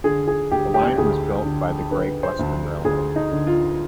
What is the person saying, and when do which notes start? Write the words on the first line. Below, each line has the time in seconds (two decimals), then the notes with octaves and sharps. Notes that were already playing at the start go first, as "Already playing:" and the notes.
The line was built by the Great Western Railway.
0.04 D3 G#4
0.27 G#4
0.51 D2 G4
0.74 G4
0.98 D2 G#4
1.45 D3
1.91 D3 B4
2.23 C5
2.39 D2
2.85 D2 G#4
3.16 D#4
3.31 D3
3.47 F4